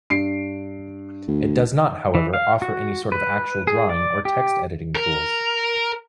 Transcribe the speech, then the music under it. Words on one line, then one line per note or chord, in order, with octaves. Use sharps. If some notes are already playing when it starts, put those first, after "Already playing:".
It does not however, offer any sort of actual drawing or text-editing tools.
G2 C7 D7
D2
E3
F5
F#4
B4
G#4
D5
G4
A#4